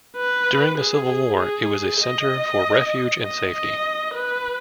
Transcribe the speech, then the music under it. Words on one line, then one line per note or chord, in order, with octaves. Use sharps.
During the civil war it was a centre for refuge and safety.
B4
G#4
G#4
D#5
D#5
D#5
B4